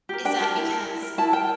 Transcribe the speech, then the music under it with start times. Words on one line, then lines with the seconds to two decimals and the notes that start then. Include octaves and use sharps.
Is that because
0.09 G4 A#4
0.25 D4 G5
0.40 G4 A#4 A5
0.56 E4
0.72 A#4
0.87 E4
1.02 A#4
1.18 E4 A5
1.33 A#4 G5